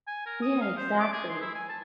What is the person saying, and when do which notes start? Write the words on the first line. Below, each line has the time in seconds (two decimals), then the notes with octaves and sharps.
Yeah, exactly.
0.07 G#5
0.26 A#4
0.42 D#6
0.61 F5
0.77 C5
1.00 D6
1.13 G#4
1.29 C6
1.41 E4
1.55 G#5
1.69 A5